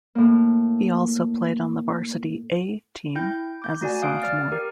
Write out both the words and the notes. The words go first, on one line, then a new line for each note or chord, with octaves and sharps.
He also played on the Varsity "A" team as a sophomore.
A2 A#3
E4 G5 G6
D6 G6
A3 F#4 D5 G#5
F5 D#6 F#6 D7
D5 F6 A6
G4 A#4